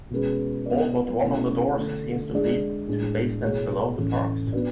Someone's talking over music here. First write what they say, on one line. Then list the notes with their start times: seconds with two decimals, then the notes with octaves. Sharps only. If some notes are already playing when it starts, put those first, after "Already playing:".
All but one of the doors seem to lead to basements below the parks.
0.10 B2 G#3 C#4 G#4 B4
0.66 B3 E4 B4 D5
1.22 B2 A3 C#4 E4
1.76 D3 A3 D4
2.32 G#3 D4 G#4 D5
2.88 A2 G#3 D4 G#4
3.43 B2 A3 E4 G#4 C#5
3.97 A2 E3 A3 C#4
4.52 B3 D4 F#4 B4 D5